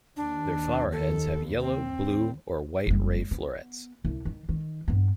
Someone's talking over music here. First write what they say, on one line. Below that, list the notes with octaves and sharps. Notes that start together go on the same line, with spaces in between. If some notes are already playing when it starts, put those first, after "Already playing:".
Their flower heads have yellow, blue, or white ray florets.
D#2 D4
A4
C4
F#1 G3
B3
C2
D#3
D#3
G2 B3